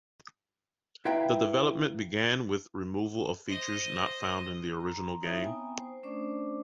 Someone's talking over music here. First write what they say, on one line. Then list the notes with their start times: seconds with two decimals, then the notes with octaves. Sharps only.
The development began with removal of features not found in the original game.
1.05 E4 B4 E5 F5 G5 A#5
3.46 C5 D#5
4.80 A#5 C6
5.21 D#4 E4 C#5 E5 F5 D#6
5.43 B3 C4 G5 G#5 A#5 D#6
5.80 C5
6.03 A3 C#4 D4 C5 D5 D6